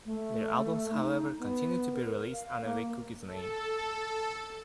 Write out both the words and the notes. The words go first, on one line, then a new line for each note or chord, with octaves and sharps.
Their albums, however, continued to be released under the Cookies name.
A3
D#4
B3
A#4
F5
A#3
A4